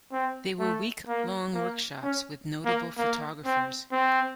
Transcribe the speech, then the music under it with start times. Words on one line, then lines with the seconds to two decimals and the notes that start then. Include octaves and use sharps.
They were week-long workshops with notable photographers.
0.12 C4
0.59 A3
1.08 A#3
1.54 A#3
2.03 C#4
2.65 A#3
2.98 A#3
3.45 C4
3.92 C4